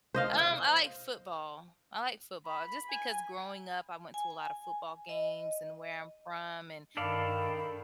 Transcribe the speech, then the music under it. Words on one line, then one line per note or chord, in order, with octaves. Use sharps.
Um, I like football. I like football just because growing up, I went to a lotta football games, and where I'm from and,
C5 D#5 F5
B5
G#5
G#5
D#5
G2 D#3 A4 D5 F5 B5